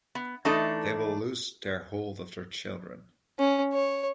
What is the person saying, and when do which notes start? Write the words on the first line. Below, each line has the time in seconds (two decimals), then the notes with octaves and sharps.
They will lose their hold of their children.
0.15 B3
0.45 E3 A3 D4 D#4 A4
3.39 C#4
3.73 C#5